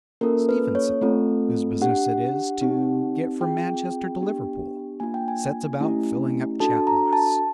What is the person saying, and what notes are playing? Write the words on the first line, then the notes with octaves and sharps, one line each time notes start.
Stephenson, whose business it is to get from Manchester to Liverpool, sets about filling up Chat Moss.
A#3 C#4 F4 A4 A#4
B4
C#5
A3 C4 F4 A4
D4 G4 F#5
C4 D#4 G4
C4 F4 G#4 G5
B3 D4 G4
A#3 D4 F4 G#5
G5
G#5
A3 C#4 E4 G4
D4 F#4 A4 A5
A#5
A5